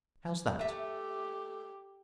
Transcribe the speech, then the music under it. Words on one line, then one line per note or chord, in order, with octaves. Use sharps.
How's that?
A3 G4 E5